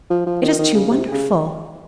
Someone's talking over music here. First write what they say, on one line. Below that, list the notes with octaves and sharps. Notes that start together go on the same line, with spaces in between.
It is too wonderful.
F3
F3
D#3
D#3
C#3
C3
C#3